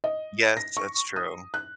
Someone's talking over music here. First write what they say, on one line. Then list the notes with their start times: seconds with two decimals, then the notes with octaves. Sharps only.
Yes, that's true.
0.04 D#5
0.57 A#6
0.77 C#6
1.16 D#6
1.54 F#6